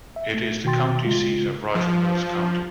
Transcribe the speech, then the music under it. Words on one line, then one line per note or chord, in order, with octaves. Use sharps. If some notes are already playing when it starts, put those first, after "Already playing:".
It is the county seat of Roger Mills County.
E5
A3
B2 D#3 F#4 G5 C6 A6
C#3 G#3 F4
F3